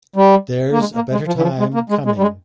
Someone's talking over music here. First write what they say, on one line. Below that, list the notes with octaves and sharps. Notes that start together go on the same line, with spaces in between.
There's a better time coming.
G3
A#3
G#3
A#3
G#3
F3
E3
F3
G#3
A#3
G#3
G#3
G3
G#3